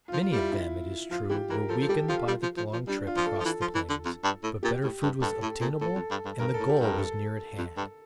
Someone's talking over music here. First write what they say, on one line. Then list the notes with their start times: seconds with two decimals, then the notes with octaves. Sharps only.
Many of them, it is true, were weakened by the long trip across the Plains; but better food was obtainable, and the goal was near at hand.
0.08 F4
0.13 F3
0.22 F4
0.32 G3 E4
0.52 E4
1.11 F3 F4
1.30 E3 G4
1.49 E3 A#4
1.69 F3 A4
1.81 F3
1.88 G3 G4
2.08 F3 F4
2.27 G3
2.43 F3
2.57 F3
2.73 F3
2.87 G3 D4
3.07 F4
3.16 F3
3.26 A4
3.40 F3
3.45 E3
3.61 F3
3.74 E3
3.89 D3
4.05 F2
4.24 G2
4.43 A2
4.63 A#2 G4
4.84 A2
5.02 G2
5.22 G2 A4
5.42 A2
5.61 A#2
5.81 A2 A4
5.95 F2
6.11 G2
6.25 G2
6.39 G2 A#4
6.54 A4
6.60 A2
6.69 G4
6.79 G2 A#4
6.98 A4
7.58 F2
7.77 G2